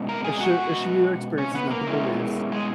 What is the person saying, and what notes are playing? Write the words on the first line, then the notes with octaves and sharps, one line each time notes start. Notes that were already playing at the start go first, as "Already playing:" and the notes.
it should it should be their experiences, not the beliefs,
Already playing: B2 G#3 C#4
A#4 A#5
G#4 G#5
F#4 F#5
C#4 C#5
B3 B4
A#3 A#4
B2 G#3 C#4 E4
G#3 G#4